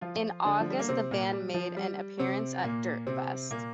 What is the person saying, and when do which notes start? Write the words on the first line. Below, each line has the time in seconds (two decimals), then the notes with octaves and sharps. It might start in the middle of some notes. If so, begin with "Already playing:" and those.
In August, the band made an appearance at Dirt Fest.
0.01 F3 F4
0.45 D3 D4
0.60 F3
0.70 G3
0.79 A#3
0.89 C3 C4
1.11 A#2 A#3
1.33 G3
1.54 F3
1.77 G3
2.19 C3 C4
2.63 A#2 A#3
3.07 C3 C4
3.51 A#2 A#3